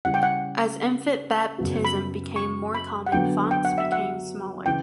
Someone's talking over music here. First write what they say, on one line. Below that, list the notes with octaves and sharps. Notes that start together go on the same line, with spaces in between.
As infant baptism became more common, fonts became smaller.
C#3 G3 C#4 E4 F#5
G5
F#5
F#2 C#3 F#3 B3 F#4
B5
C#6
B5
F#5
D3 F#3 B3 G5
G5
F#5
E5
F#5
C#3 E3 G5